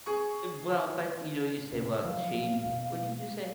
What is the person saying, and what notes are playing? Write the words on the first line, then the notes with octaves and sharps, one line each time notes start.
Ev well but, you know, you say, "Well, change" What did you say?
G#4 C#6
C3
D3 F3 F#3 F5
B2